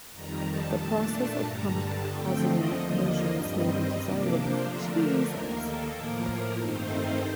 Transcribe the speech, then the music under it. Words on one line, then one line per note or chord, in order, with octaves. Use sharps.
The process of compositing motions may be desirable for two reasons.
F2 D#3 G3 A#5
A5
A#2 A3 D4 A5
G2 D3 G3 A#5
A5
D3 F3 A3 C4 G5
D#5
D#2 D3 F3 A#3
G2 D#3 G3 C4 D#5
C3 F3 A#3 D4 D5
C5
D3 F3 A3 D4 A#4
A#4
D#2 D#3 A#3 A#4
A4
A2 F3 A#3 A#4
G2 D#3 A3 C4 D#4 C5